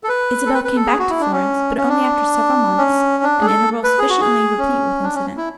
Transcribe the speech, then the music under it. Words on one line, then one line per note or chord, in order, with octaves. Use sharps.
Isabel came back to Florence, but only after several months; an interval sufficiently replete with incident.
A4
B4
A4
B4
B4
A4
G#4
F#4
E4
D4
C#4
C#4
D4
C#4
D4
G#4
A4
B4
G#4
F#4
G#4
C#4
D4
C#4
E4